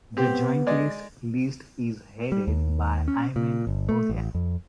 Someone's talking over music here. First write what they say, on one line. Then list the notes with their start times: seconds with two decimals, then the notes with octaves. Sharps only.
The Joint List list is headed by Ayman Odeh.
0.17 B3 C4 G4
0.67 G#3 D5 D#5
2.32 G3
2.47 D#2
3.08 C#4
3.36 A#2
3.67 G1
3.89 A3
4.09 A1
4.35 F2